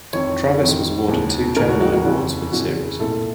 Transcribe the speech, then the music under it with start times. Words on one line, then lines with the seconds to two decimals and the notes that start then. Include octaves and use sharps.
Travis was awarded two Gemini Awards for the series.
0.13 F2 D#3 C#5
0.61 F2 D#3
1.08 D#2 C#3
1.56 C#3 A#4
1.60 D#2
1.69 F#4
1.81 F#4
1.93 F#4
2.04 F2 C#3
2.52 F2 C#3 F#4
2.99 C2 A#2 A4